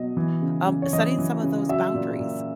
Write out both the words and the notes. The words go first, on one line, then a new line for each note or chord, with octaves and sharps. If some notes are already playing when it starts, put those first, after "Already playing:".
Um, setting some of those boundaries
Already playing: B2 F#3 D#5
E3
C#3
C#3
C#5
E3 D#5
E3
C#3
F#3 E5
A#2
A#2